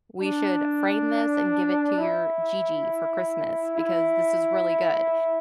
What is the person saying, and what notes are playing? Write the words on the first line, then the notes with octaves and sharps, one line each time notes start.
We should frame this and give it to your Gigi for Christmas because this is really good."
D4
E4
E4